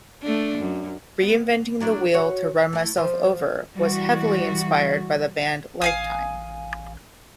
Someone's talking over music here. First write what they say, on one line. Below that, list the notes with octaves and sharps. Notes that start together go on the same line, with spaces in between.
"Reinventing the Wheel to Run Myself Over" was heavily inspired by the band Lifetime.
A3 D4
F#2
B3
F#3 D4 E4
F#4 C#5
A3 E4
F3 C5
E3 G3 F#4
A1 F5 G#5 D#6